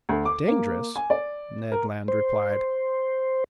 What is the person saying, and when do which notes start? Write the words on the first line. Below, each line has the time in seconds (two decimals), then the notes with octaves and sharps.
"Dangerous?" Ned Land replied.
0.09 D2
0.25 D6
0.48 A#3
0.96 G#5
1.10 D5
1.72 A#4
2.08 C5